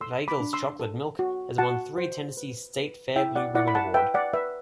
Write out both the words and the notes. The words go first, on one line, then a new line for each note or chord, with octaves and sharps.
Weigel's chocolate milk has won three Tennessee State Fair Blue Ribbon award.
A4 C6 E6
B5 D6
D4
C6 E6
A4
F#4
F#4 F#5 A5
C5
B4
B4
E4 E5 G5
D5 F#5
E4 D5 F#5
B5
F#5 A5
B4 E5 G5
D5 F#5
B4 E5